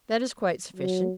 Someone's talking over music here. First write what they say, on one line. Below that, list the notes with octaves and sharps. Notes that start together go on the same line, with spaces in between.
'That is quite sufficient.
F#3